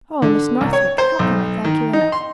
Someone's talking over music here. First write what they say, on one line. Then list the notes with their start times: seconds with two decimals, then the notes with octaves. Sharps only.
Oh, Miss Northwick, how can I thank you enough?
0.22 D3
0.61 C2
0.73 C#5
0.98 C5
1.19 B1
1.64 D#3
1.93 D#4
2.12 C6